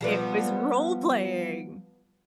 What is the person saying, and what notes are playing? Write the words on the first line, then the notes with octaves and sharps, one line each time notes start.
It was role playing.
F3 G3 B3